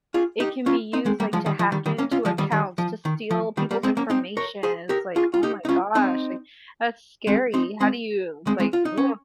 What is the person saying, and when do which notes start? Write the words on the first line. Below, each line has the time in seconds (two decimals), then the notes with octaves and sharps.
it can be used, like, to hack into accounts, to steal people's information, it's like, "Oh my gosh," like, "that's scary, how do you," like "Uh."
0.14 F4 G#4
0.40 D#4 G4
0.66 C#4 F4
0.93 C4 D#4
1.06 G#3 C4
1.20 G3 A#3
1.33 F3 G#3
1.46 D#3 G3
1.59 F3
1.72 D#3 G3
1.86 D#3 G3
1.98 A#3 C#4
2.11 C#4 F4
2.25 F3 G#3
2.38 D#3 G3
2.52 D#3 G3
2.78 F3
3.05 D#3
3.31 F3
3.57 D#3 G3
3.71 G3 A#3
3.83 G#3 C4
3.97 A#3 C#4
4.10 C4 D#4
4.37 A#4 C#5
4.63 G#4 C5
4.89 G4 A#4
5.16 F4 G#4
5.34 F4
5.43 D#4 G4
5.65 D#4
5.69 C#4 F4
5.95 C4 D#4
7.27 G#3 C4
7.54 C4 D#4
7.80 G#3 C4
8.47 G#3 C4
8.60 G#3 C4
8.73 F4
8.85 D#4
8.97 C#4